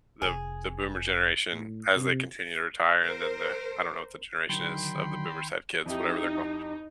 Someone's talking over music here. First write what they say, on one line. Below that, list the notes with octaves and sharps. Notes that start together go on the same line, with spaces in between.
the the boomer generation, as they continue to retire and then the I don't know what the generation is of the boomers who have kids, whatever they're called,
F1 G#4
A2
C3
A#4 C5
D3 D#3 F#3 G5 B5 C6
F2 D#4 E4 G4